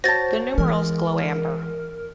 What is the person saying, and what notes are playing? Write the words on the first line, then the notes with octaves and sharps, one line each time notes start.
The numerals glow amber.
F#4 C5 C#5 A5 A6 A#6
E3 G#3 A#4